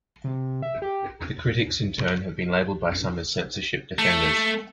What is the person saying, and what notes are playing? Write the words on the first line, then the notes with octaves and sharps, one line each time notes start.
The critics, in turn, have been labelled by some as "censorship defenders".
C3
E5
G4
A3